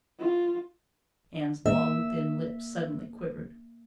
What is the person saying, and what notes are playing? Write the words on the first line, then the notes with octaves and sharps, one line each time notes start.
Anne's long, thin lips suddenly quivered.
F4
A#3 E5